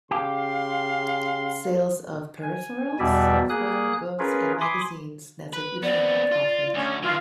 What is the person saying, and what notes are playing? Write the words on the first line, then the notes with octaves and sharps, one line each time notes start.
Sales of peripherals, software, books and magazines netted even more profit.
C#3 G4 F5 C6
G#5
E2 B2 G3 D5 E5
A#3 G#4 D#6 F#6
C#4 F4 G#4 A#4 B4
G#5 B5 C6 D6 D#6
B4
B3 C4 D5
F4
D2 C#4
D#3 E3 F4